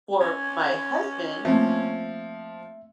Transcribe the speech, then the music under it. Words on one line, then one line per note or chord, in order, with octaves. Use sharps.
for my husband,
C#4 G#6
F3 A3 A#3 C4 E5